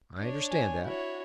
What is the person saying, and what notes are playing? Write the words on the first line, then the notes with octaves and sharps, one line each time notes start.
"I understand that."
D4 C#5
G#5
E4 F#4 C#5